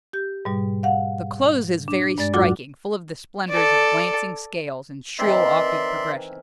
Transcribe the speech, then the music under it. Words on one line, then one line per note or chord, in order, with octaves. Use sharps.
The close is very striking, full of the splendors of glancing scales and shrill octave progressions.
G4 G6
G#2 B2 G3
F5 F#5
D4
G2 G#3 D5 A6
D#2 A2 F#3 F4 F#4 D6
A4 D5
D#3 E3 C4 D5 E5 C6